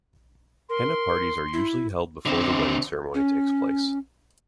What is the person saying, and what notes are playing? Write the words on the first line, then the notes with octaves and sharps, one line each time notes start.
Henna parties are usually held before the wedding ceremony takes place.
A#4 C6
E4
D3 C4
C#4